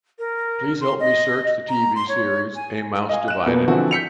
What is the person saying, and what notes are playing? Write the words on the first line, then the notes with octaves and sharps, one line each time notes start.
Please help me search the TV series A Mouse Divided.
A#4
C6
D#5
A#5
C6
C#5
G#5
D#5 F5 G#5
F#6 E7
B2 A#3 B3
D3 E3 F3 C4 F#4 A4
G6 B6 C#7 F7